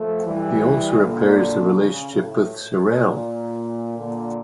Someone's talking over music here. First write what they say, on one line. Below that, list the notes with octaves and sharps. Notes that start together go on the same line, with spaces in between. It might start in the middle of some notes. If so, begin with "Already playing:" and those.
He also repairs the relationship with Cerrelle.
Already playing: F3 A3
E3 G3
A#2 D3
C#3
A2
A#2
A#2 D3